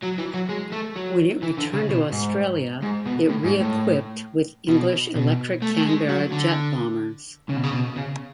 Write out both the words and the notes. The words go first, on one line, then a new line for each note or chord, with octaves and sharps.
When it returned to Australia it re-equipped with English Electric Canberra jet bombers.
F#3
E3
F#3
G#3
A3
F#3
E3
D3
C#3
B2
G#2
G#2
B2
A2
G#2
A2
B2
B2
A3
A3
G#3
F#3
D3
C#3
B2
C#3
B2
C#3